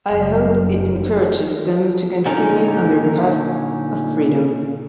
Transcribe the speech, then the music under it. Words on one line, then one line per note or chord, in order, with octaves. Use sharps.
I hope it encourages them to continue on their path of freedom.
F#1
A#2 D3 C#4 D#4 A#4